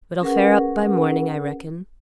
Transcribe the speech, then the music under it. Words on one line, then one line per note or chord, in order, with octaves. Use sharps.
It'll fair up by morning, I reckon.
C#4 G#4 A#4 B4 F#5